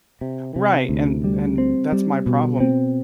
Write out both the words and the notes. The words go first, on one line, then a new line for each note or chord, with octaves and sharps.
Right, and and that's my problem.
C3
C3
D2
G3
C4
G3
B2
C4